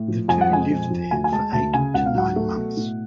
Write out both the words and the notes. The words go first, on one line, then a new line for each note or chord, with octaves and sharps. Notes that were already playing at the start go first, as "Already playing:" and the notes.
The two lived there for eight to nine months.
Already playing: A2
F3
F2 G#5
F#5
G#3 G#5
F2
F3
D2 G#5
G#5
G#3 A5
D2 A5
C#3 G#5
C#2 F#5
F5
F#3 F#5
A3
B2
A2